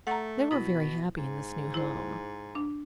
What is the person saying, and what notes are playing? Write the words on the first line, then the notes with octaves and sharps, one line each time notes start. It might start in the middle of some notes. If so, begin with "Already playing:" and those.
They were very happy in this new home.
A3 F#5 A#5
B2 E4 D#6
G#2
E4 C5
D4